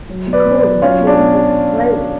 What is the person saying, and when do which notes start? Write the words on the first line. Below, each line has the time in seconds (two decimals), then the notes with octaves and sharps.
According to Exclaim!
0.09 F#3
0.28 B2
0.33 B4 D5
0.45 B2
0.57 B4 D5
0.64 F#3
0.82 F#3 C#4 F4
1.00 B2
1.07 D4
1.19 B2